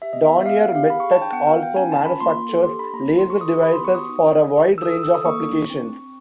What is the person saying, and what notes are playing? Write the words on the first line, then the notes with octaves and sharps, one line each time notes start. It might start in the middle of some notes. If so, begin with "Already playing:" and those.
Dornier MedTech also manufactures laser devices for a wide range of applications.
G4 E5
B3 D#5
E5
B3
E5
G4 F5
B3 F#5
G4 F5
G#4 B5
C#6
G#4
A5
D4 G5
B3 F#5
F#4 F5
B3 G5
C#4 G#5
C#4 A5
F4 B5
A#3 C6
A#3
A4
G4 C6
D4 B5
A#3 A#5
F#4 A#5
C6
A4
C#6
A4 D#6
G4
B5
G4
C6
B3 C#6
F#4 D#6
D#4
C4
G#4
G#4
G#4
E6
A4 D#6
E6
A4
E6
A4 D#6
A#3 C#6
D4
D4
C4
C4
C4